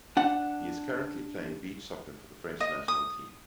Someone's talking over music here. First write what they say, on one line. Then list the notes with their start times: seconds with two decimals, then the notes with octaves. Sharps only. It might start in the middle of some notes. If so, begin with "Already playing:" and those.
He is currently playing beach soccer for the French National team.
0.17 D4 F#5
2.60 D#5
2.88 D#6